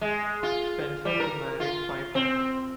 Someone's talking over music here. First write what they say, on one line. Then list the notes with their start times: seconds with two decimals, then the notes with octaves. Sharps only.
Spencer was married five times.
0.01 G#3
0.43 F4
1.05 G3
1.20 A#4
1.60 F4
2.15 C4